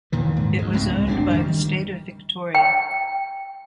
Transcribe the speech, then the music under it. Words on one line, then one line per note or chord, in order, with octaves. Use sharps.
It was owned by the State of Victoria.
D#2 A#2 D#3 E3
G#2
D2 G#3
C#2 A2 A3 C4
F1 A#2 C#4 D4
D#3 G3
G5